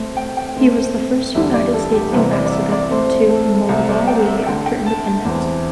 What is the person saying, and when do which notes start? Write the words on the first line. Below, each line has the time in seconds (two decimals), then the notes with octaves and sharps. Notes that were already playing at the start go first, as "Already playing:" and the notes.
He was the first United States Ambassador to Malawi after independence.
Already playing: A2 A3 C4
0.17 G5
0.37 G5
0.57 A2 A3 C4
1.35 E2 D3 G3 E5
1.53 D5
1.73 A4
1.93 G4
2.12 C2 C3 E3 C5
2.32 D5
2.45 D5
2.51 E5
2.72 D5
2.90 A2 A3 C4 C5
3.29 A4
3.69 C2 C3 A3 C5
3.89 D5
4.07 G5
4.27 E5
4.38 E5
4.46 D2 D3 A3 G5
4.66 G5
4.86 A5
5.05 A5
5.25 E2 E3 C4